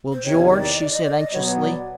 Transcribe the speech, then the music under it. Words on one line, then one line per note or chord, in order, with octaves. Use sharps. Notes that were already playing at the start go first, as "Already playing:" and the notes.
"Well, George?" she said, anxiously.
C5
E2 C3 D#3 C#5
D5
D#5
D5
D#5
D5
D#5
B2 F#3 B3 C#5
D5